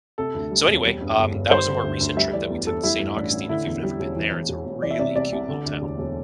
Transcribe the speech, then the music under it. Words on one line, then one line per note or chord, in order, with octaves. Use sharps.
so, anyway, um, that was a more recent trip that we took to Saint Augustine, if you've never been there, it's a really cute little town.
C3 A4
D2
G3
E1
G3
G2
G1
G1
G3 C5
D3
D2
D2
G3 E5
E3 D5
E2
E2 A4
G3 E4
G2
A1 D4
A1
D3 E4
E2
G3
E1
E3
E2
E1
E1
E3 D5
E5
C3 D5
C2 D5
C2
D3
D2
E1
E1